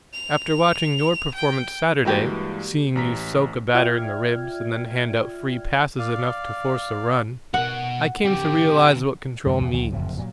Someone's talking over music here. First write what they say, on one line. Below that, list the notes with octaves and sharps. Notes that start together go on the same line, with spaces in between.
After watching your performance Saturday--seeing you soak a batter in the ribs, and then hand out free passes enough to force a run--I came to realize what control means.
F7
G5
G2 E3 G#3 A#3 F#4 G4
A1 A#5 B6
F4 D5 E5 G5 F6 G#6
D5 F5
B2 F#4 F#5
D3 C4 G4
F#2 D3 G#3
E2 C3
D2 D#3 F#3
F#1 F2 A2 C3
A#2 F3 F#3